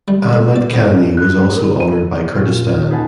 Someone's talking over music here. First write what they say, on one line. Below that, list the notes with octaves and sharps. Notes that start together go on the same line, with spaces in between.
Ahmad Khani was also honoured by "Kurdistan".
G3
A2
D5
B3
F#6
A#4
D#7
A#2 F4 C#6
D#4 G#4 B4 F#5 G#5 A5